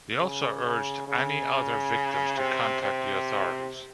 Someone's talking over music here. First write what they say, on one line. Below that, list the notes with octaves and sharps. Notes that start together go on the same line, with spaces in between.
They also urged any other victims to contact the authorities.
C#3
C#3
C#3
C3
C3